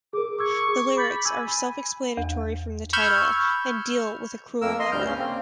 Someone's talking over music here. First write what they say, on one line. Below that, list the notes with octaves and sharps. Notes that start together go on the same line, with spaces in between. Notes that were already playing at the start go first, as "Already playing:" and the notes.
The lyrics are self-explanatory from the title, and deal with a cruel lover.
G#4 A#4 D6
C#6 D6 E6 G#6
G#4
B5 D6 G6 A6
G#5 E6 G#6
B5
E2
B5 C#6 E6 F6 G6 G#6
F2 A#3 A#4 E6
D#5 C6
D2 G2 G3 F6 G6
C#3 C#4
A#3 C4